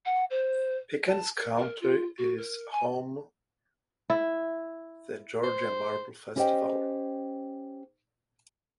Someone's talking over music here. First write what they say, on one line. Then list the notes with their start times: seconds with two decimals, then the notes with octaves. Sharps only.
Pickens County is home the Georgia Marble Festival.
0.06 F#5
0.30 C5
1.08 A5
1.37 A#4
1.57 A#4
1.82 F4
2.18 F#4
2.38 A#4
2.72 G#5
4.10 E4
5.43 C5
6.36 C#4 E4 G4 C5 D#5 G5